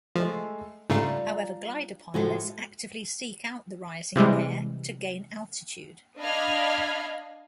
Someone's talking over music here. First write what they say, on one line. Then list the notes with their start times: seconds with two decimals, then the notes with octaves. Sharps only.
However, glider pilots actively seek out the rising air to gain altitude.
0.16 F3 G#3 A3
0.90 G#2 C#3 G3 A3 D4 F4 A#5
2.14 A2 F3 G#3 F#4 A4
4.16 C3 E3 G3 G#3
6.19 D4 D#5 F5 B5 F6 G#6